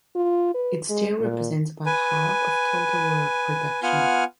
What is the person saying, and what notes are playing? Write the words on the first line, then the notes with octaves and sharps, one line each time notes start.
It still represents about half of total world production.
F4
B4
G#3
A#2
B4 G#5
B3 F4 F#5 G#5 F6